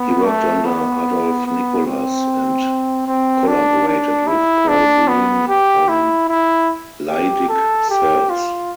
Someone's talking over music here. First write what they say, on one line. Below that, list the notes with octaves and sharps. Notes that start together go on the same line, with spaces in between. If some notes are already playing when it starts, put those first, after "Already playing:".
He worked under Adolph Nicolas and collaborated with Paul Bouin on Leydig cells.
Already playing: B3
A3
B3
B3
C4
C4
D4
D4
E4
D4
B3
G4
E4
E4
G4
A4
G4
F4